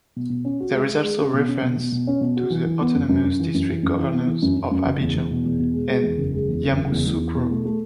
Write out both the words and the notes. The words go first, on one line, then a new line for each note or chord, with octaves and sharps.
There is also reference to the autonomous district governors of Abidjan and Yamoussoukro.
B2
B2
C#4
F#4
G#3
G#3
G#3
C#4
B2
C#4
B2
B2
B2
C#4
B2
F#4
E3
E3
B3
F#2
F#2
F#2
E3
F#2
E3
F#2
E3
B3
E3
F#2
F#2
F#2
F#1
E2
E2
B2
E2
B2
G#3
G#3
E2
F#1
G#3
E2
F#1
F#1
E2
E2
E4
B2
A3
A3